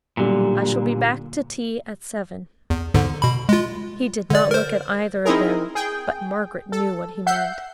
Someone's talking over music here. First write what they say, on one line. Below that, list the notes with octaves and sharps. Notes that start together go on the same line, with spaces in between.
I shall be back to tea at seven.' He did not look at either of them, but Margaret knew what he meant.
B1 A#2 D3 G3
E2
E2 G#2 D3
B2 B5
G#3 F4
D3 D5
A#4 C5
C4 D#4 E4 G#4 A#4
G#4 G5
A4
E5 F#5 G6 C7